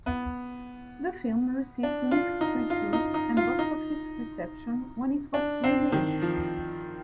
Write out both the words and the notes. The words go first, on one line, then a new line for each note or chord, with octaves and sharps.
The film received mixed reviews and box office reception when it was released.
B3
D4
F4
D#4
F4
D#4
D#4
F4
D#4
D4
C4
D#3
F3